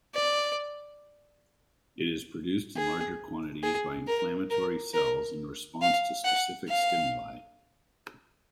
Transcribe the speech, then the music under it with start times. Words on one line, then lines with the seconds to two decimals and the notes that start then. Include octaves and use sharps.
It is produced in larger quantities by inflammatory cells in response to specific stimuli.
0.14 D5
2.76 G#4
3.63 G#4
4.07 A#4
4.50 A#4
4.94 A#4
5.82 F5
6.25 F#5
6.68 F5